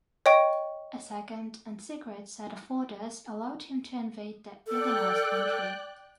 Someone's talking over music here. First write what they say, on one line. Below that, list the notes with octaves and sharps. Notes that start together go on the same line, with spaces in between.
A second, and secret, set of orders allowed him to invade the Illinois Country.
C#5 D#5 G5 C#6 D7
A4 D5 G5 F#6